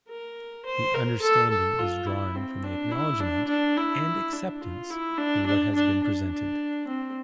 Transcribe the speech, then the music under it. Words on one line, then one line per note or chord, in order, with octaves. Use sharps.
The understanding is drawn from the acknowledgment and acceptance of what has been presented.
A#4
C5
A#4
A4
A4
F4
E4
C4
D4
E4
D4
D4
E4
D4
F4
E4
D4
D4
D4
D4
D4
C4